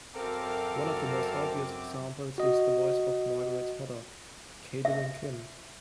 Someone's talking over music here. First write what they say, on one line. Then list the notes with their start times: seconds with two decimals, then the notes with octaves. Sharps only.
One of the most obvious examples is the voice of Margaret's mother, Katherine Kim.
0.14 F#2 C4 A4 A#4 F5 D6
2.38 F#4 D#5
4.85 E5